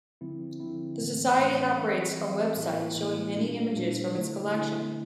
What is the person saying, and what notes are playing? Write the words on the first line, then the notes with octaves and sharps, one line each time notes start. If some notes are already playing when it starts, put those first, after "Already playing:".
The Society operates a website showing many images from its collection.
D3 F3 C4 E4
D3 F3 C4 E4
A2 E3 A3 C4
A2 E3 A3 C4
E3 G3 C4
E3 G3 C4
A2 E3 A#3 E4
A2 E3 A#3 E4
A#2 G3 D4 F4
A#2 G3 D4 F4
D3 A3 E4
D3 A3 E4